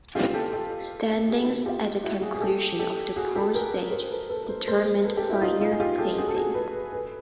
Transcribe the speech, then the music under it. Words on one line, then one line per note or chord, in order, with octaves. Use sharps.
Standings at the conclusion of the pool stage determined final placings.
F4 G4
G4 A4
G4 A4
A4
F#4 G#4
F4 G4
E4 F#4
F#4 G#4
G#4
G4 A4
G4 A4
F#4 G#4
G4 A4
G#4 A#4
A#4 C5
A4 B4
A4 B4
C5
A#4 C5
A4 B4
G4 A4
E4 F#4
D#4 F4
D#4 F4
G#4
F4 G4
G4 A4
F#4 G#4
A4
F#4 G#4
A4 B4
A4 B4